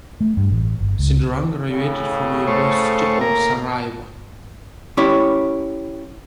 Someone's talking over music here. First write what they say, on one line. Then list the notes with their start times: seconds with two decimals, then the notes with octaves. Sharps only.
Sidran graduated from University of Sarajevo.
0.21 A3
0.37 G2
0.51 A1
0.81 G1
0.99 C#2
1.71 A2 C#3
2.47 A3 C5 C#5
3.21 A#3 A#4
4.97 C#4 E4 G4 C#5